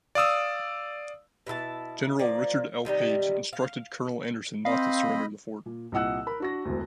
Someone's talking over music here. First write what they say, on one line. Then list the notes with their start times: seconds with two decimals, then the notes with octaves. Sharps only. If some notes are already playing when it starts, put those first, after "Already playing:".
General Richard L. Page instructed Colonel Anderson not to surrender the fort.
0.15 D5 F5 D#6 E6
1.47 B2 E4 A4 A5
2.19 F3 A#3 D5
2.85 C3 D#3 G3 D#5
3.53 F5
4.65 C4 D#5 F5 B5
5.66 A#2
5.92 C2 A#2 D#5 F#5 E6 F#6
6.27 A#4 B5
6.40 D4 F#4 A#6
6.65 E1 D2